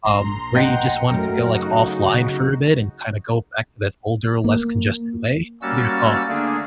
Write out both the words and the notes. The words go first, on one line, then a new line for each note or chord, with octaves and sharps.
um, where you just wanted to go, like, offline for a bit and kinda go back to that older, less congested way? What are your thoughts?
A#1 A#5 C6
D#5 F#5 G5
F#2 F#3 A3 A#4
C#3 D#4 F#4
A#3
G3 A#3 C#4 F#4 E6 A6
D3 A3 A#3 D4 G#4